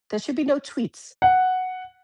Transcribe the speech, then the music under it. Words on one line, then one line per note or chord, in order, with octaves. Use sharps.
There should be no tweets.
F#5